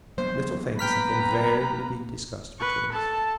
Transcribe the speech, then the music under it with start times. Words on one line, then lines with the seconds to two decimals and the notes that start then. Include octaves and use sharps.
Little things have invariably been discussed between us.
0.18 F#3 A#3 B3 C5
0.79 B4 G5 A#5 F6 B6
2.59 B4 C#6
2.92 A4 A5